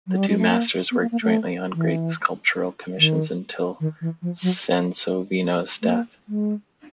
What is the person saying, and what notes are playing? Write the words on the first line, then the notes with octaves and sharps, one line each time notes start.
The two masters worked jointly on great sculptural commissions until Sansovino's death.
F#3
G3
G#3
A3
A#3
B3
A#3
A#3
A3
E3
D#3
D#3
E3
F3
F#3
A3
A#3
G#3